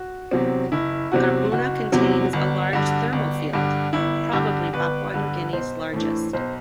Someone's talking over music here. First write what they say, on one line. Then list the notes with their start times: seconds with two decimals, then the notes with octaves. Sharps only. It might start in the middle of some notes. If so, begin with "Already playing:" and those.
Garbuna contains a large thermal field, probably Papua New Guinea's largest.
Already playing: F#4
0.31 E2 C3 F#3 C4
0.72 F#1 E4
1.12 E2 C3 F#3 C4 F#4
1.52 F#1 F#4
1.92 E2 C3 F#3 C4
2.33 G1
2.73 G2 D3
3.13 G1
3.53 G2 D3
3.93 G1 E4
4.33 G2 D3 G4
4.73 G1 B4
5.14 G2 D3
5.53 B1 C5
5.93 A2 E3 A3 D4
6.33 B1 C5